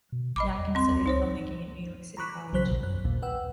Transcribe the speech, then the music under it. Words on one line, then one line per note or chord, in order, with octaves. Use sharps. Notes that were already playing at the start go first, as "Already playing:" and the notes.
Yakin studied filmmaking at New York's City College.
B2
A1 D#5 B5 D6
E2
C4 C6
D2
C#2 D#4 C5 C#5
A#5 B5 C#6 D6 F#6 B6
B1 C#3 F#3 C5 F#6 B6
A#1 D#2 B2
F#2 F#6
A#1 D#2 A#2
B4 F#5 G5 E6